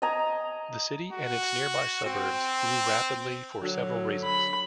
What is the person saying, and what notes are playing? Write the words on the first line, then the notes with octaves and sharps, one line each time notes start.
The city and its nearby suburbs grew rapidly for several reasons.
D#5 G#5 A#5
F#4
C4
D3 F#3
B5